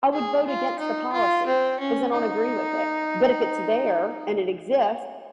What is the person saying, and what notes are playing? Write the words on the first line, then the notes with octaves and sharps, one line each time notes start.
I would vote against the policy because I don't agree with it. But if it's there and it exists
G#4
F4
D#4
F4
C4
C#4
D#4